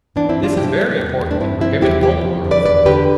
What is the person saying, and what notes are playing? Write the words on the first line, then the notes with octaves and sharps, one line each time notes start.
This is very important to prohibit mold growth.
E3 B3 D4
C4 E4
G2
D4 F4
G3 E4 G4
G3
E2
E2
D4
G2 C4 E4
F3 C4 E4
E2 E4 G4
F3 E4 G4
F2
D3
B4 D5
E2 B4 D5
D3 G4 B4